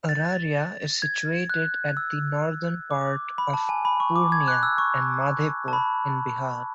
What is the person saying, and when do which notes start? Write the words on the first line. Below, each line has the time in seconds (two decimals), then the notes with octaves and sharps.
Araria is situated at the northern part of Purnia and Madhepura in Bihar.
0.09 A6
1.02 G#6
1.50 F#6
1.97 E6
2.91 D6
3.38 B5
3.54 A5
3.69 G#5
3.85 B5
4.00 C#6
4.16 D6
4.32 G#6
4.48 F#6
4.63 E6
4.78 C#6
5.68 A5
5.73 B5